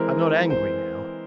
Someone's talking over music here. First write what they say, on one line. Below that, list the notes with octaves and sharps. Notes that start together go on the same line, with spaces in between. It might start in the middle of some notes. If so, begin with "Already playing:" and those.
I am not angry now.
Already playing: E3 G#3 C4 A#4
C5